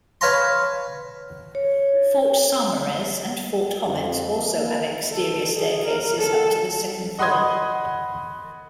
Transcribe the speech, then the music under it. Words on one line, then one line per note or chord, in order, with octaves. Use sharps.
Fort Saumarez and Fort Hommet also have exterior staircases up to the second floor.
B4 C#5 F5 A5 A#5 C6
C#5
F2
A#3
A4
G#4
A#4
A4
D#5 F#5 B5 C6 D#6 G#6